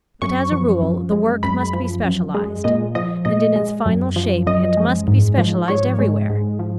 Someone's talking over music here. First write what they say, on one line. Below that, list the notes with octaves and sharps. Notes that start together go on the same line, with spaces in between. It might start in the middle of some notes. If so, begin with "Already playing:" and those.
But as a rule the work must be specialized; and in its final shape it must be specialized everywhere.
F#2 C#6
F3
F#2
G#3
F#2 B5
F3
F#2
G#3
A#2 D#5
F3 D#5
A#2 D#5
G#3
F#2
F3
F#2 D#5
G#3
G#2
F3
G#2 C#5
G#3
G#2
F3